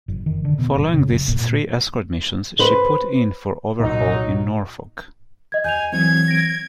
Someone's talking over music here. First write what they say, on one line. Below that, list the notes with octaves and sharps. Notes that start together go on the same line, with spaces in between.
Following these three escort missions, she put in for overhaul in Norfolk.
F#1
D#3
D3
B2
F#1
C#3
F#1
A#2
B4 C5
C2 A#2 F#3 D#4
D#5 G#6
D#2 G#5 G6 F7
E3 F#3 C4 G#6
A#6 D7